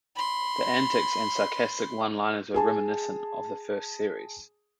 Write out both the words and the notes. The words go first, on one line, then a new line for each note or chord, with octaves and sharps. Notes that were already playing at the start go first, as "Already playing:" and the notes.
The antics and sarcastic one-liners were reminiscent of the first series.
B5 C6
G#4 G#5 A5